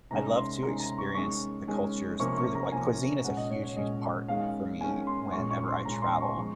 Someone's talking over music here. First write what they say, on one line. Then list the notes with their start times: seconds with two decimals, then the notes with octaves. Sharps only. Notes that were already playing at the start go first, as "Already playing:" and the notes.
I love to experience the cultures through their like, cuisine is a huge, huge part for me whenever I travel,
0.11 C3 D#3 G#3 C#4 A#5
0.36 C6
0.63 C3 D#3 G#3 C#4 A#5
0.80 A#5
0.98 C#6
1.15 D#3 G#3 C#4 C#6
1.67 D#3 G#3 C#4
2.19 C3 F3 A#3 C#4 C#6
2.37 C#6
2.55 A#5
2.72 C3 F3 A#3 C#4 G#5
3.24 A#2 G#3 C#4 F#5
3.37 D#5
3.51 C#5
3.63 C#5
3.77 A#2 G#3 C#4 D#5
4.28 D#3 G#3 C#4 F5
4.81 D#3 G#3 C#4 G#5
5.07 C6
5.33 A#2 G#3 C#4 C#6
5.51 C#6
5.68 C6
5.85 A#2 G#3 C#4 A#5
6.02 C6
6.21 C#6
6.37 F3 G#3 C#6